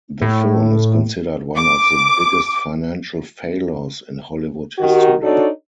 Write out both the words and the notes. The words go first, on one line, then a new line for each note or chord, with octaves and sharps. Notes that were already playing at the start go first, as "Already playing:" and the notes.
The film is considered one of the biggest financial failures in Hollywood history.
A2
D6
D#3 F#4 G4
D4 D#4 F#4 A4 C#5 D5